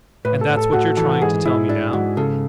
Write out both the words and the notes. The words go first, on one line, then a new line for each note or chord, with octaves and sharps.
"And that's what you're trying to tell me now?"
A2 B4
A4
A2
A4
A2 F#4
E3 A4
G#2 G#4
G#2 E4
D4 E4
G#2 F#4
C#3 A4